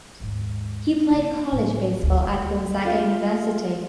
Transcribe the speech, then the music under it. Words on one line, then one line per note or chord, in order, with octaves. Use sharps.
He played college baseball at Gonzaga University.
D#2 G#2
C#3 A#3
A1 A2
F1 D2
F4